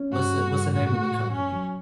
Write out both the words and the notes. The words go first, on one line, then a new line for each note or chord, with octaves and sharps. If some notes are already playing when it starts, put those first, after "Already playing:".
What's the what's the name of the company?
Already playing: C#4
G2 F#4
G3
G2
A2 F#4
A3
A2
F#2 C#4
F#3